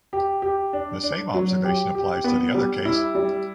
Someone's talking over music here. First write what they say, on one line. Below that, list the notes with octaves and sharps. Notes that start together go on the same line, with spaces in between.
The same observation applies to the other case.
G4
G4
D4
D4
F#3
G4
G4
B3
G3
E4
G3